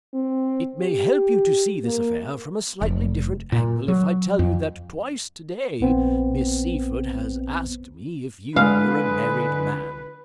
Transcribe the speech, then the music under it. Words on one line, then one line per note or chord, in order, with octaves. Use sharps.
"It may help you to see this affair from a slightly different angle if I tell you that twice today Miss Seyffert has asked me if you were a married man."
C4
G4
A#3
F1
A#2
F#3
F2
A#1 B3 C4
D3 G#3 B4 F5